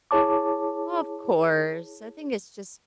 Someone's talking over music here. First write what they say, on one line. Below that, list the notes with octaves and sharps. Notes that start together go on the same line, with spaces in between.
Oh, of course. I think it's just
E4 G#4 C#5 A5 D6